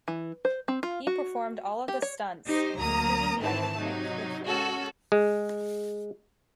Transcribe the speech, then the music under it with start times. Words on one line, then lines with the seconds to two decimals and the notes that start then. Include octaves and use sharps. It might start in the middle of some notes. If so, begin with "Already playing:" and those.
He performed all of the stunts, including the iconic cliff ride.
0.08 E3
0.45 C5
0.68 C4
0.83 F4
1.07 F#4
1.88 G4
2.02 C#5
2.46 D#4 G4 C5
2.77 D2 F#3 A#3 A#5 D#6
3.39 G#2 D#3 E3 A3 C4 A5
3.78 C3 F#3 D#4
4.46 G#3 C#4 F#4 A4
5.12 G#3